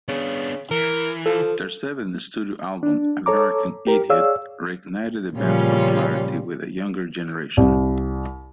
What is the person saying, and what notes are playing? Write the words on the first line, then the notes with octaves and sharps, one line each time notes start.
Their seventh studio album "American Idiot" reignited the band's popularity with a younger generation.
C#3 B3 D4
E3 A#4
F3 A4
D4
A4 C#5 A#5 D6
G4 A#4
G#4 C#5 D5 F5 E6
A#2 C#3 F3 G3 C#4 F4
C2